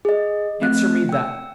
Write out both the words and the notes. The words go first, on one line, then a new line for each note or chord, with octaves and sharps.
Answer me that.
G#4 D#5
A3 C4 F#6
G5 E6